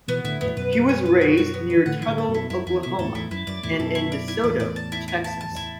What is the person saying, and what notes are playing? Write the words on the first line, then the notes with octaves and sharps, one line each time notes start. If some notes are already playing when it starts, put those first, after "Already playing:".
He was raised near Tuttle, Oklahoma, and in DeSoto, Texas.
B2 E3 B3
A2 D3 E4
E2 A2 B3
F#2 B2 B4
B4
B3
B4
F#4
F#4
B3
B4
E3
A2 D3 F#5
E3 E4
A2 D3
A4
F#2 B2
E4
F#2 E4
E2 E4
B2 E4
E2 A2 A4
E2 A2 E4
F#2 E4
F#2 D5
E2 A2 E4
F#2 B2 A4
E4
D5
E4
E2 A2 D5
D5
A5
E4
E4
A5
A5
E4